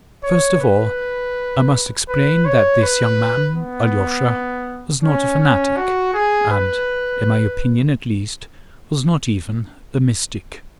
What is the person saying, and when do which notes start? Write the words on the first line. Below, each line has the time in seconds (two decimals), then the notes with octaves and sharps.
First of all, I must explain that this young man, Alyosha, was not a fanatic, and, in my opinion at least, was not even a mystic.
0.23 C#5
0.60 B4
2.08 B4
2.45 C#5
2.82 B4
3.56 B3
5.03 C#4
5.40 C#4
5.77 F#4
6.14 G#4
6.51 B4